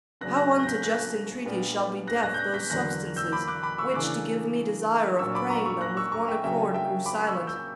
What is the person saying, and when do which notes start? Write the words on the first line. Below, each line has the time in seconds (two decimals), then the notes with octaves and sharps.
How unto just entreaties shall be deaf Those substances, which, to give me desire Of praying them, with one accord grew silent?
0.21 C#3 F#3 B3 D4 F#6 A#6
0.36 F#6 A#6
0.51 F#6 A#6
0.63 A#6
0.67 G6 B6
0.83 F#6 A#6
1.45 A#2 G3 B3 D4
2.07 F#6 A#6
2.23 F#6 A#6
2.34 G6
2.38 F#6 A#6
2.54 G6 B6
2.70 E2 D3 F#3 A#3 F#6 A#6
3.16 E6 G6
3.32 B5 D6
3.48 D6 F#6
3.63 B5 D6
3.78 C#6 E6
3.94 C#3 E3 A#3 D4 D6 F#6
5.19 A#2 F#3 A#3 D4 C#6 E6
5.35 B5 D6
5.50 A#5 C#6
5.65 C#6 E6
5.81 F#6 A#6
5.97 C#6 E6
6.12 A#5 C#6
6.28 E5 G5
6.44 C#3 F#3 A#3 D4 E5 G5
6.74 E5 G5
7.06 B5 D6
7.27 C#6 E6
7.47 E6 G6